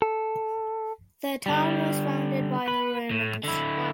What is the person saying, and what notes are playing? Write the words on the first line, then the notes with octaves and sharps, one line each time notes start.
The town was founded by the Romans.
A4
D3 G3
B4
A2
D3 E4